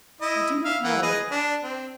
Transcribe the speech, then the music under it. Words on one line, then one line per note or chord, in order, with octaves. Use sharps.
"I do not know."
E4 D#5
E5 F5
E3 A#3 F#5
G#4 B4 D#5
D4
C4